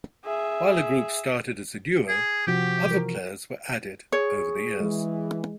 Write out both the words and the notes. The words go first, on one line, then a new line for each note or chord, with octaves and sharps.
While the group started as a duo, other players were added over the years.
G#4 E5
G#4
C3 F3 F#4 G4
E3 A#4
G#4 C#5
E3 G#3